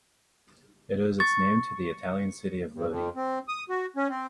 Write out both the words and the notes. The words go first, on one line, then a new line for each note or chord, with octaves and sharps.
It owes its name to the Italian city of Lodi.
C#6 A6
G2
F2
C4
D#6
F#4
C#4
C4